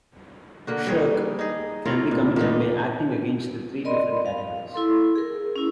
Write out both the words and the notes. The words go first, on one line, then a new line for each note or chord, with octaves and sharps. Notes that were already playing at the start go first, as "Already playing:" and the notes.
"Shirk" can be committed by acting against the three different categories.
D3 A#3 F#4
G3 G#4 C#5
D#4 G#4
E4 F4 A#4 C#5
A#2
A#2 A3 B3 D#4
A#4 D5 D#5 B5 C6
F5
E4 A4 C6
G#4 A#4
C#4 E4